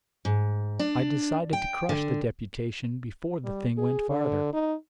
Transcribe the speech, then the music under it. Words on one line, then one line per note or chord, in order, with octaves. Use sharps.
I decided to crush the deputation before the thing went farther.
G#2
D4
G5
D3
G3
G#4
D3
D#4